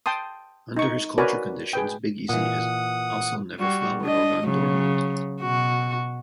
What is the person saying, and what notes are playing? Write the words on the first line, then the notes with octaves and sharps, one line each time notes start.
Under his culture conditions, 'Big Easy' has also never flowered or gone dormant.
G5 A5 C6 D#6
D#4 C#6
F#4 A#4 B4 C#5 D5 G#5
G#4 B4 G5
A#2 E3 F#5 D#6
G3 F#4
D4 D#5
C#3 F#3
B2 F#4